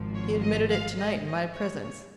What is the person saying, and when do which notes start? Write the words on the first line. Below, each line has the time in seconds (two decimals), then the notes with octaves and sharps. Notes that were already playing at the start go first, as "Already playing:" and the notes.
He admitted it tonight in my presence.
Already playing: G#1 G#2 F3
0.15 C#5
0.42 D#5
0.70 F5
0.98 D#5
1.26 D#5
1.54 C#5
1.82 C#5